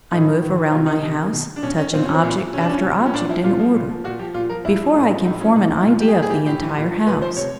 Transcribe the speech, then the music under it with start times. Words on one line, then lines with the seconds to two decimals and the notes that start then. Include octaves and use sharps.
I move around my house, touching object after object in order, before I can form an idea of the entire house.
0.11 A2 D#4
0.26 E3
0.41 A2
0.56 E3
0.72 C3 F4
0.86 D#3 D#4
1.02 C3
1.16 D#3
1.32 B2
1.56 D4
1.63 B2 C#4
1.78 C#4
1.93 A#2 C4
2.04 F3 C#4
2.14 C4
2.23 A#2
2.38 F3
2.53 C3 C#4
2.61 D4
2.69 F3 C#4
2.84 C3
2.99 F3
3.06 C#4
3.13 A#2 D4
3.29 F3 E4
3.43 A#2 F4
3.60 F3
3.74 A#2
3.89 F3
4.04 A#2 F#4
4.19 F3 G4
4.34 A#2 F4
4.49 F3 A#4
4.65 A#2 E4
4.80 F3
4.95 A2
5.10 F3
5.25 A2 D#4
5.40 F3 C#4
5.55 B2 D#4
5.78 E4
5.85 B2 F4
6.00 G4
6.08 G#4
6.15 A2 G4
6.22 G#4
6.30 E3 G4
6.46 A2 G4
6.61 E3
6.77 A#2
6.92 F3
7.07 A#2 B4
7.22 F3 C5
7.36 C3 C#5